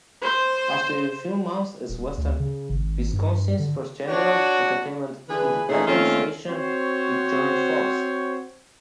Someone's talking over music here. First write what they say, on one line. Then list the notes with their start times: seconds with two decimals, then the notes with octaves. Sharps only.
After a few months as Western Wisconsin's first general-entertainment independent station, it joined Fox.
0.22 C5
1.89 D#1
2.18 D2
2.40 C#3
2.70 G#1
3.13 G2
3.59 D3
4.08 D4 F#4 C#5
5.29 D3 E3 G#4 B4
5.68 A#2 A3 C#4 D#4 G#4
5.87 D#2 A3 C4 C#4 F4
6.49 C4 F#4 C5 C#5